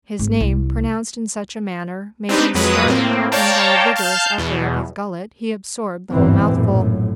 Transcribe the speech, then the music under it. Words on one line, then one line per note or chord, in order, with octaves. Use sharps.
His name, pronounced in such a manner, made him start, and by a vigorous effort of his gullet he absorbed the whole mouthful.
G#1
C2
C4 D4 D#4 G4 B4
F2 F#3 G#3 B4 D#6
A2 A#3 C4
C#5 D5 F5 G5 A5 A#5
F5 A5 F6 G6
E2 B2
G1 E2 G#2 E3 C4
A#1 F#2 A2